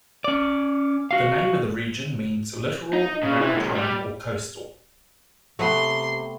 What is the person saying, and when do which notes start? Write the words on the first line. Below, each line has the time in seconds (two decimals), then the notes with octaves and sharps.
The name of the region means Littoral, Maritime or Coastal.
0.24 C#4 D5
1.11 F#4 F5
2.93 D#4
3.23 C#3
3.40 E3
3.53 D#2 G#2
3.75 G3
5.59 C3 A3 B3 C6